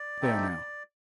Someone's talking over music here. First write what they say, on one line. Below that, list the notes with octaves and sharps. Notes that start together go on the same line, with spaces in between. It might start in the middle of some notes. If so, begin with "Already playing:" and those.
There, now.
Already playing: D5
A3 C4 D#4 G4